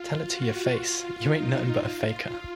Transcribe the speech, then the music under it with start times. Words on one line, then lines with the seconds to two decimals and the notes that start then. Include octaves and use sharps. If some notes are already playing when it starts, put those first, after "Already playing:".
Tell it to your face, you ain't nuttin but a faker!
Already playing: F4
0.24 F#4
0.75 F4
1.26 D#4
1.77 F4